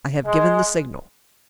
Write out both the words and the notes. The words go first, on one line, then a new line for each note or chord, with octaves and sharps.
"I have given the signal."
G#3